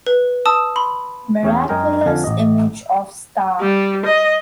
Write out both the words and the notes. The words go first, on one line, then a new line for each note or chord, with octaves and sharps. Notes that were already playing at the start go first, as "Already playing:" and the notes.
Miraculous Image of Sta.
B4
A5 D#6 E6
B5 C6
E2 C#4 G#4 G5
F#2 G#3 G#4 A#4 G5 A#5
F2 D3 D4 F5 G#5 A5
A1 D#5
G3
D#5